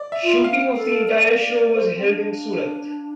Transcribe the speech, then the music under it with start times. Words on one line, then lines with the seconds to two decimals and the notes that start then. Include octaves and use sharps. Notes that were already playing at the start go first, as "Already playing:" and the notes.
Shooting of the entire show was held in Surat.
Already playing: D5
0.12 E5
0.23 F4
0.44 F5
0.76 A4
1.08 D5
1.41 D5
1.74 C5
1.96 C4
2.06 D4